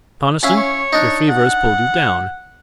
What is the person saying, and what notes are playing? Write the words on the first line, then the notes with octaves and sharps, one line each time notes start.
Conniston, your fever has pulled you down.
C#4 E4 F5 G#5
C#5
D4 D#4
F#5